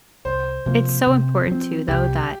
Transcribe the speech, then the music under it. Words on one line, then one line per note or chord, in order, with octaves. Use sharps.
it's so important too, though, that
C2 C5
C3 F3 A#3
C3
F3 C4
C2 G4